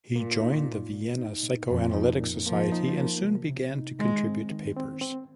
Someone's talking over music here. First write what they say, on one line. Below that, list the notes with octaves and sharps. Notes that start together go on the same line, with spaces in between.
He joined the Vienna Psychoanalytic Society and soon began to contribute papers.
A#2 A#3
D#4
A#2
A#2
D#4
A#2
F2 A#2
D#4
A#2
F3 A#3
D#4
A#3
C3
C3
D#4
D#3 G#3
C4
D#3
C4
C4